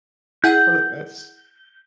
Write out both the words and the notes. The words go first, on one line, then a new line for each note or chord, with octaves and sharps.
Oh, that that's
E4 G#4 F#5 G6